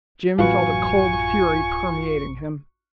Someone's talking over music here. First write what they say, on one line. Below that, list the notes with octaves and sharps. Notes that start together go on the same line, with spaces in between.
Jim felt a cold fury permeating him.
A1 F#2 F4 F#4 B4 G#5 C#6